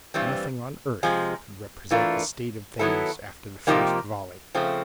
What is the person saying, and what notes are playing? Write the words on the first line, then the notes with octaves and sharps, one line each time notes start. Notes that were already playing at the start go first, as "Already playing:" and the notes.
Nothing on earth could represent the state of things after the first volley.
G2 E3 G3 C4
C3 F3 G#3
E3 A3 D4 F4 A#4
D#3 F#3 B3 E4 A4
C3 F3 A#3 D#4 G4
C#3 F3 A3 C4